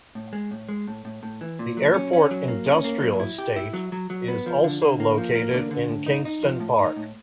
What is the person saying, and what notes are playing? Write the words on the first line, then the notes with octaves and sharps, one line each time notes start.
The "Airport Industrial Estate" is also located in Kingston Park.
A2
G#3
A2
G#3
A2
A2
A2
E3
A#2
F#3
C#4
C#4
F#3
A#3
C#4
A#3
F#3
E4
G4
E4
F#3
F#3
F#3
B3
F3
D3
D3
A#3
F3
A#3
D3
D3
A2
D#4
D#4
F3
A2
D#4
A2